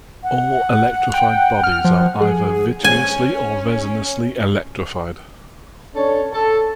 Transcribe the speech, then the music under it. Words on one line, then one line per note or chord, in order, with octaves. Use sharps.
All electrified bodies are either vitreously or resinously electrified.
F#5
G5
F6
F3
G#4
C#4 G#5
C#4 D4 A4 C#5
A4